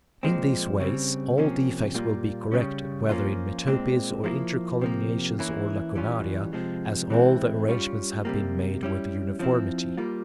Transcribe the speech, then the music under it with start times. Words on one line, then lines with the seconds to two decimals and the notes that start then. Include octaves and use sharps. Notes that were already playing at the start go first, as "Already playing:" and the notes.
In these ways all defects will be corrected, whether in metopes or intercolumniations or lacunaria, as all the arrangements have been made with uniformity.
0.23 A#2 F3 G#3 C4
0.80 C#3 G3 C4
1.38 C3 F3 A#3 C#4
1.94 A#2 G3 A#3 F4
2.52 C#3 G3 C#4
3.09 F3 A#3 C#4 F4
3.67 A#2 G#3 C4
4.24 F3 A#3 E4
4.81 C3 F3 A#3
5.39 E3 A#3 C#4 E4
5.95 E3 G3 C#4 F4
6.53 C3 F3 G#3
7.10 E3 G#3 C4 E4
7.68 G3 C#4 F4
8.25 C3 G3 A#3
8.83 G3 C#4 E4
9.39 F3 C4 E4
9.98 G3 A#3 F4